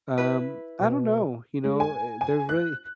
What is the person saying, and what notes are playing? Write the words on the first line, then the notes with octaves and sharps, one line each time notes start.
Um, I don't know, you know. Eh, there really
E4 B4
B2
G#3
G#5
G#5
F#6